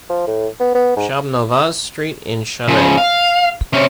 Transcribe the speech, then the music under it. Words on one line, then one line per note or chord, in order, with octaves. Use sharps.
Champnovaz Street in Challex.
F3
A2
B3
B3
G#2
C#3 F3
F5
C3 C#4